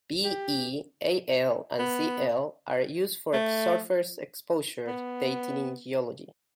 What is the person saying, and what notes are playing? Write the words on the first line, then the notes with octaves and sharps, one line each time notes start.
Be, Al, and Cl are used for surface exposure dating in geology.
G4
B3
A3
B3